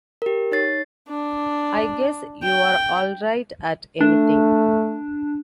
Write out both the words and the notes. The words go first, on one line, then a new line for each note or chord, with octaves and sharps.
I guess you’re all right at anything.
G4 A#4
D#4 C#5 A6 C7
D4
G5
A3 D4